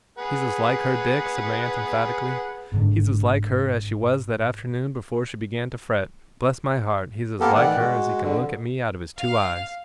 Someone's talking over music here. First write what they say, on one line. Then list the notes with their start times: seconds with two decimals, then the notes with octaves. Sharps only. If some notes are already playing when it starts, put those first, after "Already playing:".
'He's as like her, Dick,' said my aunt, emphatically, 'he's as like her, as she was that afternoon before she began to fret--bless my heart, he's as like her, as he can look at me out of his two eyes!'
0.18 G#4 B4 F#5
2.72 G1 G#2 D3
7.40 A#3 B3 G4 A4 A#4
7.55 A2 D#3 E3 D5 F#5
7.78 G#3 F#4
8.21 F2 D3
9.20 F5